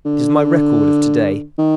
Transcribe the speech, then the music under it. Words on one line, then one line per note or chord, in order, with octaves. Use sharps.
It is my record of to-day.
D3
D#3